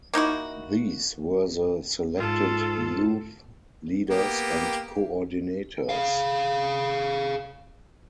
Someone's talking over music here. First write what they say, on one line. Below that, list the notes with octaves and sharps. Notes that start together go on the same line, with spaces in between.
These were the selected youth leaders and coordinators.
A#3 D#4 E4 F#4
G#2 F4 A4
A#3 B3 G4
G#4 F5